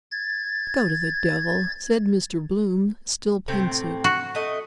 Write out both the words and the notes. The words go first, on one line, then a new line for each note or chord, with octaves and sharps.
"Go to the devil," said Mr. Bloom, still pensive.
G#6 A6
A2 C3 C4
F#4
A3 D#5